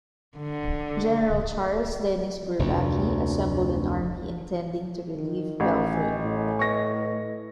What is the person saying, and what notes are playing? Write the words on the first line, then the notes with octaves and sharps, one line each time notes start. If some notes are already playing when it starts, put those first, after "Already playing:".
General Charles Denis Bourbaki assembled an army intending to relieve Belfort.
D3
F1 D2
D#3
A1 C#4 G#4 A#4
D#5 G#5
A2
B4 D#5 C#6 A#6